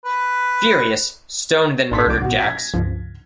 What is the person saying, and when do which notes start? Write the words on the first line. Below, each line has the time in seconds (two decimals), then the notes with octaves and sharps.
Furious, Stone then murdered Jax.
0.05 B4
1.91 A1 D4 A4 C6 B6
2.07 C2 F#3 D6
2.22 A#1 B2 F#4
2.39 G#6 A#6 B6
2.74 C#2 G2 F3